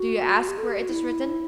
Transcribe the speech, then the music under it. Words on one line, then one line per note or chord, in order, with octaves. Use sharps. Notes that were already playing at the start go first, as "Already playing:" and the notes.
Do you ask where it is written?
Already playing: F#4
G4
A4
G4
F#4
E4